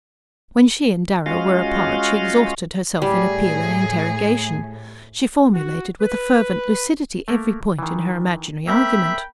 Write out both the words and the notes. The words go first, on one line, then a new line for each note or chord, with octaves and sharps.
When she and Darrow were apart she exhausted herself in appeal and interrogation, she formulated with a fervent lucidity every point in her imaginary argument.
G#3 C#4 F4 F#4 D#5 F5
A2 G3 G#4
F#4
B4
A3 A#3 A#4
D#3 E3
A#3 C4 A#4 E5 G5 B5